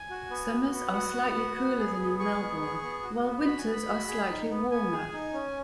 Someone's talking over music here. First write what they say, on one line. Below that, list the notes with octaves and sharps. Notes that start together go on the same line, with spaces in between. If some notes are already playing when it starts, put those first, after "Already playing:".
Summers are slightly cooler than in Melbourne, while winters are slightly warmer.
Already playing: G#5
F#4
B3
F#4
B3
F#4 F#5
B3
F#4
B3
G#4
B3
G#4 C#6
B3
G#4
B3
F#4
B3
F#4 B5
G#5
B3
B5
F#4
G#4
D#4
B3
B3 G#5
G#4
D#4
C#4